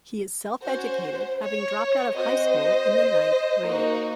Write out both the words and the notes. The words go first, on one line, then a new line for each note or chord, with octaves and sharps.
He is self-educated, having dropped out of high school in the ninth grade.
C#4 F#4 C5
C#5
C4 F#4 C5 D#5
A#3 D#4 F#4